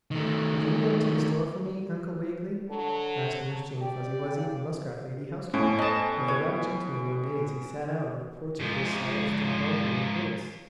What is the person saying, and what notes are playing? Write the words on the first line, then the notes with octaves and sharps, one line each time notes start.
"Will you go to the store for me, Uncle Wiggily?" asked Nurse Jane Fuzzy Wuzzy, the muskrat lady housekeeper, of the rabbit gentleman one day, as he sat out on the porch of his hollow stump bungalow in the woods.
D#3 A3
D3 F#3 A5
A5
G4 D5 G5
C#3
A1 A2 B3 C#4 A4 C#5 G#5 D7
A4 C5 D#5 A5
B4 C#5
G#2 F3